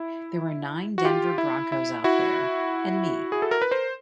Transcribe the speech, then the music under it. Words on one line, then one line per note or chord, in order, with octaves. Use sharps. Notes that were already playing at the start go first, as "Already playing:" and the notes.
There were nine Denver Broncos out there, and me.
Already playing: E4
F#4
F4 G4
E4
E4
E4 F#4
G#4
A4
A#4
B4
A#4 C5